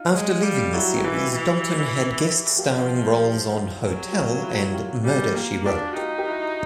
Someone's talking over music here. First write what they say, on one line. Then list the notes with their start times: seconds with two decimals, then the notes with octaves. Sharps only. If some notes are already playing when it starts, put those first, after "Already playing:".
After leaving the series, Dalton had guest-starring roles on "Hotel" and "Murder, She Wrote".
Already playing: D#4 F4
0.12 G#3
0.43 G3
0.74 F#3 E4 F#4
0.96 G4
1.04 E3 E4 F#4
1.35 E3
2.49 G#4
2.58 F3 F4 G4
3.81 F#3 F#4 G#4
4.12 F4 G4
4.37 F4
4.42 E4 F#4
4.73 F4 G4
5.04 G3 F#4 G#4
5.35 A#3 F4 G4
5.66 D4 F4 G4
5.88 F#4
5.96 D#4 F4 G4
6.18 G4
6.27 E4 F#4